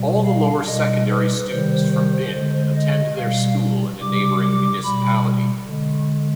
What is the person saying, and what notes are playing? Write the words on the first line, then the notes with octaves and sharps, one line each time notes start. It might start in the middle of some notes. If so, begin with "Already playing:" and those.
All the lower secondary students from Binn attend their school in a neighboring municipality.
Already playing: B2 G3
F5
B2 G3 D#5
B4
C3 D#3 G3 C5
D3 G#3
D#5
B2 G3 F5
C3 G3 D6
D6
B2 G3 B5
D3 G#3